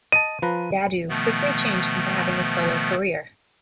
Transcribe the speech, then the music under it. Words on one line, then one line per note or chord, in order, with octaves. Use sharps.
Dadoo quickly changed into having a solo career.
D#5 A5 D#7
F3 B4 A#5
B2 D#3 F3 A3 B3